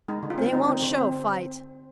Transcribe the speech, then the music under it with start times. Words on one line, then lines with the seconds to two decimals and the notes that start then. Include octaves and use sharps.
They won't show fight.
0.08 G#3 D#4
0.23 D3
0.30 F4
0.38 C4
0.53 C4 D#4
0.68 C4
0.82 D3
0.97 C4